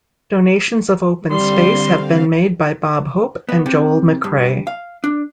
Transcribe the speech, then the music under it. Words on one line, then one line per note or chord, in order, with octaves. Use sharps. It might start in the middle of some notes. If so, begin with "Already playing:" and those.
Donations of open space have been made by Bob Hope and Joel McCrea.
D3 G3 C4 F5 C6
B3
C3
G2
F5
D4